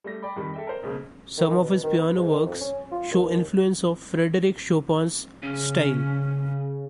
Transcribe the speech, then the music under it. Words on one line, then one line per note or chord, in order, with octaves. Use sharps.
Some of his piano works show influence of Frederic Chopin's style.
G3 A3 A#6
D5 G5 B5
F2 D#3 G3 B5
A4 E5 G5
A#4 C5
B1 C#3 A#3
D#3
B2
D#3
B3
G#2
D#3
F2
C#4
F4
D#2
C#3 C#4